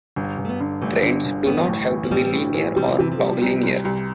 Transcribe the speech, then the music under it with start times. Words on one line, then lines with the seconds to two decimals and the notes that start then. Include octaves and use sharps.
Trends do not have to be linear or log-linear.
0.16 G1
0.38 G1
0.45 A3
0.49 B3
0.61 D3
0.82 G1 A3
1.03 D3
1.25 G1
1.46 A1 B3
1.68 A2
1.90 E3
2.04 F3
2.11 A1 G3
2.34 A2
2.54 E3
2.76 C3 G3
2.88 F3
2.99 C3 E3
3.12 F3
3.20 G3
3.42 C2
3.63 C2
3.85 C2